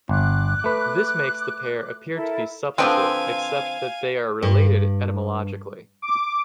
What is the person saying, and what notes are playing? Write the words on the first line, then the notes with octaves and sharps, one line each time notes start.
This makes the pair appear to be suppletive, except that they are related etymologically.
G1 D6 F#6
A3 B4
E4 A4 A#4
D3 F3 C4 B4 F5 G5 G#5
G2
D6